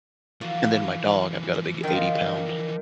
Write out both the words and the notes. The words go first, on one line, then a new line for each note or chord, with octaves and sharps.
and then my dog I've got a big eighty-pound
E3 F3 A#3 F#4 D5
D3 D#3 F4